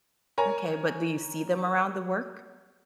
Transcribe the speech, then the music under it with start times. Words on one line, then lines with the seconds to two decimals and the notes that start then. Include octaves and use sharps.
okay but do you see them around the work?
0.38 A#4 C#5 G#5 A#5